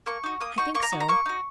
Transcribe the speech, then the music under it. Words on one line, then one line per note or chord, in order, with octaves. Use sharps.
"I think so."
A#3 C#6
D#4 F#4
A#3 D#6
D#4 F#4 C#6
A#3 C#6
A#5
D#4 F#4
A#5
A#3 C#6
D#4 F#4